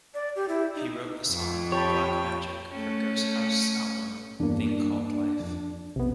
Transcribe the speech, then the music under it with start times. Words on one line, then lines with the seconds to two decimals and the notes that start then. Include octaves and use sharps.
He wrote the song "Black Magic" for Ghosthouse's album "Thing Called Life".
0.14 D5
0.36 G4
0.48 E4
0.76 D#4
1.29 F2
1.72 G4 C#5 G5 A5 B5
2.71 A3 C#4
4.40 E2 G2 A#3 D4
5.40 F2
5.96 B1 C3 B3